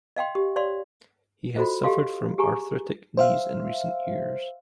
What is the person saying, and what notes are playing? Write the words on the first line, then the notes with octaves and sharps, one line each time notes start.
He has suffered from arthritic knees in recent years.
D#5 F5 G5 C6
G4
C#5 D5 F5 C6
F4 F#4 A4 C5 D#5
G4 A4 D#5 F5 C6
G4 G#4 G#5 A#5 C#6
C5 E5 F5